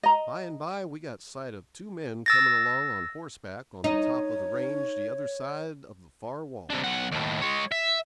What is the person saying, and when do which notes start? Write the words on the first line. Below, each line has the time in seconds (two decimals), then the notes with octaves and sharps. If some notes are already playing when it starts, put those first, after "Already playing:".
By and by we got sight of two men coming along on horseback on the top of the range the other side of the far wall.
0.03 D#5 A#5
2.26 E6 A6 A#6
3.84 D#4 C#5
6.70 C3 D4
6.84 B1 F#5
7.12 D#2 A2
7.42 G#3 C#5
7.72 E5